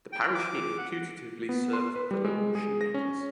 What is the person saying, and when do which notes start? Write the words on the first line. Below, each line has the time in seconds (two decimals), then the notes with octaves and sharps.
The parish here putatively served the local shoemakers.
0.13 G5
0.35 D6
0.78 F#5
1.49 B3
1.73 C6
1.96 B4
2.11 G3
2.25 G#3
2.55 G#4
2.81 A#6
2.94 C#4